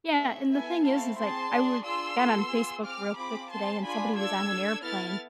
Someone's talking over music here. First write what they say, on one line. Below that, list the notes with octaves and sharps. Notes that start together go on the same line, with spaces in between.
Yeah, and the thing is, is, like, I wa got on Facebook real quick today, and somebody was on an airplane
A3 C4 G#4 E5
B3 E4 A4 E5 G#5
A3 C4 E4 A4 F5 A5
C4 G#4 A5 C6
D4 G#4
D4 F4 G#4 C6 E6
B3 F4 A4
B3 F4 G#4
C4 G#4 D6 F6
C4 F4 G#4 B5 D6
C4 G#4 A5 C6
D4 F4 G#4 G#5 B5
D4 A4 E6 G#6
D4 A4
B3 E4 A4 F6 A6